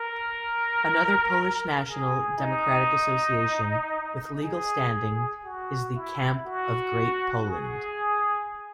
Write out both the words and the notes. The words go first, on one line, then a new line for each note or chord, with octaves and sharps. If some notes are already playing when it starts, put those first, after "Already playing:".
Another Polish national-democratic association with legal standing is the Camp of Great Poland.
Already playing: A#4
G#4
D#4
G#4
F#4
E4
F#4
G#4